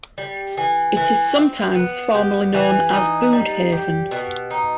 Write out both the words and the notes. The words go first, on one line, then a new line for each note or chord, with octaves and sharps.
It is sometimes formerly known as Bude Haven.
G3
E3
E3
C4
B3
G4
E3
D#4
G3
G4
B2
D#4